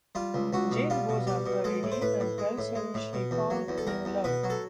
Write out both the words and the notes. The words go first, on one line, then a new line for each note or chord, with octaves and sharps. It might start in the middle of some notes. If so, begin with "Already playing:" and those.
Jane goes after Eddie and tells him she found new love.
G3 F4
C#2
C#2 F#4
B2
G3 F4
B2
G3 G4
B2
G#3 A4
A2
C5
A2 B4
A2
G#3
A2
G#3
A2
B2
E2
F#3
E2
A4
E2 A#4
E2
B2 B4
F#3
A4